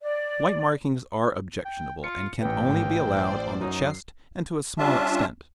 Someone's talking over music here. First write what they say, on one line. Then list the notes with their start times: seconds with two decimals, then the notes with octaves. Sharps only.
White markings are objectionable, and can only be allowed on the chest and to a small extent.
0.02 D5
1.65 G5
2.04 F4 C#7
2.42 A1 G#2 A#3 B4 G5
2.85 C5 D5
3.61 F#2 F#3 D#4 C7
4.79 G3 C#4 D4 F4 E5 A5